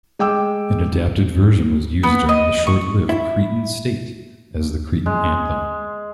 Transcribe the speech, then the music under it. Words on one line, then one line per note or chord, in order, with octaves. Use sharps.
An adapted version was used during the short-lived Cretan State as the Cretan Anthem.
G#3 G5 D6 E6
B3
D#5
C#6
E4
G#3